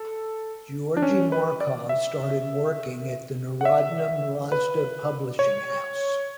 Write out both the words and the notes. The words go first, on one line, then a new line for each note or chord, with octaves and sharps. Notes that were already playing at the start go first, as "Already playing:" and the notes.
Georgi Markov started working at the Narodna Mladezh publishing house.
Already playing: A4
D4
C#4
B4
D5
E5
F#5
E5
B4
C#5